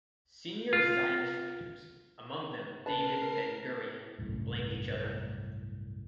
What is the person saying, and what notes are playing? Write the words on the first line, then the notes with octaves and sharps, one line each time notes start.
Senior Zionist leaders, among them David Ben-Gurion, blamed each other.
F4
C#3 A#4 B4 A5 C7
G1 C2 F#2 A2